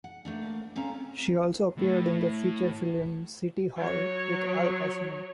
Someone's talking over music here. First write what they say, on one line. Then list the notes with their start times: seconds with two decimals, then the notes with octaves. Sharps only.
She also appeared in the feature film "City Hall" with Al Pacino.
0.04 F#5
0.25 A3 A#3 D4
0.76 C4 C#4 A4 F5 A#5
1.78 A2 A3
3.75 F#3 C#5